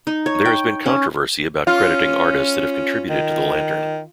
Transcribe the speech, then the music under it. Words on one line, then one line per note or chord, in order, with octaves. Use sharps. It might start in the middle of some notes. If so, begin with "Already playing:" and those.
There has been controversy about crediting artists that have contributed to the lantern.
D#4
C#5
G5
C#4
C#4 F4
D#3